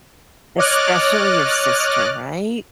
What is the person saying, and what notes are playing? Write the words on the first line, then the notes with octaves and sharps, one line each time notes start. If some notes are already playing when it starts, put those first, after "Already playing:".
Especially your sister. Right?
C#5 D#5 D6 F6 F#6 A6